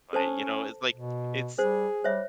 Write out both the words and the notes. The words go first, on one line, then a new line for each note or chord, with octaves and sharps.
Right, you know, it's like, it’s
C#4 A4 C5 A5
B2
G3 G#4 C5
G3 C5 C#5 E5